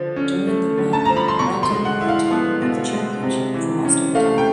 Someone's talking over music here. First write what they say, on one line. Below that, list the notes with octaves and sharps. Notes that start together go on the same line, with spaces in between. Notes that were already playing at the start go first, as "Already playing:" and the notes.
During the run, Brighton were top of the Championship for most of the time.
Already playing: D3 F3
C#4
A3
D3
A5
F3 A#5
B5
C6
B2 C#6
C6
G#3
F#5
E4
F5
B3
B2
G#3
C3
E3
C#4
A3 F5
G5